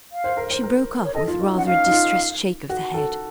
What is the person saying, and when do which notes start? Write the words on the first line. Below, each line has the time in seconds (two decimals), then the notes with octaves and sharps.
She broke off with rather a distressed shake of the head.
0.12 F5
0.24 C5
0.37 A#4
0.51 C5
0.64 A#4
1.05 C#5
1.14 A4 D#5
1.28 F4
1.40 D#4
1.53 C#4
1.57 F#5
1.66 D#4 F5
1.86 D#4
1.91 F4
2.69 F#4
2.94 A4